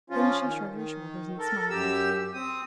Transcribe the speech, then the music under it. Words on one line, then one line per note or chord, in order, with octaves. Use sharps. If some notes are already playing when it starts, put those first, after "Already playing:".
Then she shrugged her shoulders and smiled.
F3 C#4 F4
D#3
D#3
A4 A#4
F#2 G4 E6
C4 D#6